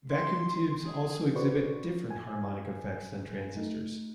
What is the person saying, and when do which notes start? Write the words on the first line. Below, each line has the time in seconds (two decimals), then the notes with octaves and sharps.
Vacuum tubes also exhibit different harmonic effects than transistors.
0.11 C6
0.82 G#4
1.35 F#4 B4 C5 D5 C#6
2.10 G#5
3.56 A3 D#4